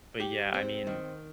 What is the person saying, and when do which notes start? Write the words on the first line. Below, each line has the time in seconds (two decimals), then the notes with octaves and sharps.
But, yeah, I mean,
0.20 G4
0.54 C4
0.87 D#3